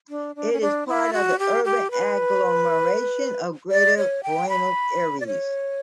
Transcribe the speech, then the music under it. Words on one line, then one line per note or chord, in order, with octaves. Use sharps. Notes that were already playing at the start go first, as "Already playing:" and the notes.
It is part of the urban agglomeration of Greater Buenos Aires.
D4
D4
C#4
D4
E4
F#4
G4
G4
B4
D5
C#5
G5
B5
D5
C#5